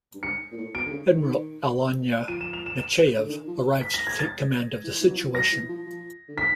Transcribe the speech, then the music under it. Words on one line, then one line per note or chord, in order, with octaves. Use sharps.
Admiral Alynna Nechayev arrives to take command of the situation.
G2
G#2 C#7
A#2
A2
B2 D7
D3
C#3
D#3
F3 D#7
E7
F7
E7
E7
D3
D#3
F3
B6
A#6
G#6
A6
E3
E3
F#3
F3
F#3 A#6
E3
F3
F3
D3
D#3 B6